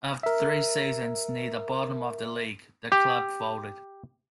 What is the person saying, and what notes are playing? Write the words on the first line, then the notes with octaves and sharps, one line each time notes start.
After three seasons near the bottom of the league the club folded.
A#4 E5
G4